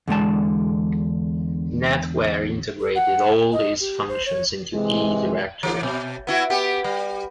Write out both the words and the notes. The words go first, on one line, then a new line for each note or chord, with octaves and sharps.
NetWare integrated all these functions into eDirectory.
E2 D3 G#3 A5
A4
F#5
D#5
G4
C5
C#5
C3 E3 G#3
E3
B2
B3 E4 F#4
B3 G4
G3